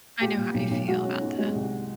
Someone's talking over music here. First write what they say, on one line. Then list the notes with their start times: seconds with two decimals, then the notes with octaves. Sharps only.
I know how you feel about that.
0.21 A#2 G4
0.37 A#2
0.54 B1
0.71 B1
0.88 G#3 F#4
1.04 C#4
1.21 G#2
1.39 G#3
1.55 C2